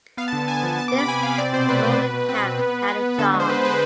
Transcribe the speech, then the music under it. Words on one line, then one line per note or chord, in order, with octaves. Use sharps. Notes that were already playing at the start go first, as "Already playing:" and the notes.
This Golden Cap had a charm.
B3 F5
A5
D3
A5
D3 G#5
F3 G#5
B3 A5
D6
C3
B5
C3 G#5
C3 F5
C4 D5
B2 C5
A3 B4
B2
B2
B2
C4 B4
B2
B3
B3
B3
B3
D3 A4
G#3
C5
D3 B4
G#3 B4